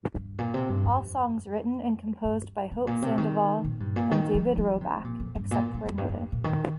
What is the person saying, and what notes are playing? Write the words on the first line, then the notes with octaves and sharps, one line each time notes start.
All songs written and composed by Hope Sandoval and David Roback, except where noted.
G2
A#2
C3
G2
F2
G2
G2
A#2
C3
D#3
A#2
G2
A#2
D#3
F3
F3
C3
A#2
F2
G2
A#2
G2
F2
G2
F2
A#2
D#3